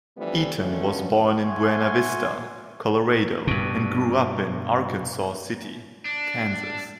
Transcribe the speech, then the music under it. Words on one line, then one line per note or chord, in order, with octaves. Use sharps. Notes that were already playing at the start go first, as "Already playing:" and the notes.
Eaton was born in Buena Vista, Colorado and grew up in Arkansas City, Kansas.
E3 F3 G3 A3 B3 D4
D#2 B2 D3 A3 C#4
E5 F#5 G#5 C6 C#6
G2 B2
D4